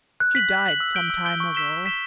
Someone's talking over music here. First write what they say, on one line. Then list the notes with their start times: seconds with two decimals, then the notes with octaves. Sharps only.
She died some time ago.
0.20 F#6
0.35 B6 F#7
0.50 F#6
0.66 B6 F#7
0.80 E6
0.95 G6 D7 G7
1.10 E6
1.25 G6 D7 G7
1.40 C#6
1.55 E6 B6 E7 G7
1.70 C#6
1.84 E6 B6 E7 G7